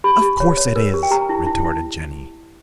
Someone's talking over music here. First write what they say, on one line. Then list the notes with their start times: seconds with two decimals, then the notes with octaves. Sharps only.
"Of course it is," retorted Jenny.
0.04 G4 B5
0.22 G4
0.40 C#5
0.57 C#5
0.76 A#4
0.94 G4
1.03 G5
1.11 G4 A#5
1.29 E4
1.47 E4
1.65 E4